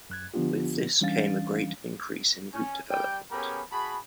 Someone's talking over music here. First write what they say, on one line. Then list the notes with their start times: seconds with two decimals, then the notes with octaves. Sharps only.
With this came a great increase in route development.
0.10 F#2 F#6 G#6
0.34 D3 F3 B3 D4 F4 G4
1.01 E3 G3 C#4 D4 F5 A6
2.54 C#4
2.90 G3 G5
3.31 B3 C#4 G4 G#4 A#4 B5
3.72 F#4 G#4 A5 B5